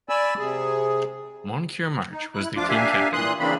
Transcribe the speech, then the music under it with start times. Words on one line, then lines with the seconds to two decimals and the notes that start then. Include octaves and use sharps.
Moncure March was the team captain.
0.09 D5 G#5 B5 E6
0.38 C3 G#4
2.12 D#4
2.34 E4 F#6
2.56 D2 F3 D4 F4 D6
2.69 A#3 D4 G4 E5 F5 G#5
3.13 A#2 E3 C6 D#6 F#6
3.40 C#3 E3 A#3 C4 D4 B5